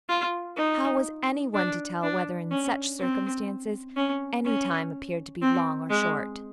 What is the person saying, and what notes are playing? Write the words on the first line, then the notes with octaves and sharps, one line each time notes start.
How was anyone to tell whether in such circumstances any time appeared to be long or short?
F4
D#4
D4
D4
C#4
C4
C#4
C#4
C4
G#3